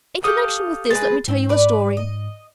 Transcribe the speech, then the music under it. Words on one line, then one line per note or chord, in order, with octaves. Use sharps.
In connection with this, let me tell you a story.
G4 A4 F5 D#6 F6 G6
G#3 G#4 B4 A6
G#2 C4
B4 D5
D#5